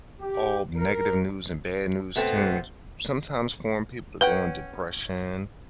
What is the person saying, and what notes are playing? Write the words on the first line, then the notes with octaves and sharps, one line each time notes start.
all negative news and bad news can s sometimes form people to go in depression.
G4
A#4
B2 A3 B3 C4
C#4 B4 F#5 G5